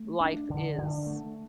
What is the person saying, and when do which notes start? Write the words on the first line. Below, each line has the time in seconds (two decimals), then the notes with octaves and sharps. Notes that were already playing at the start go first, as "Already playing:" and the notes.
life is
Already playing: A3
0.21 D4
0.50 D3
0.78 D3
1.07 A3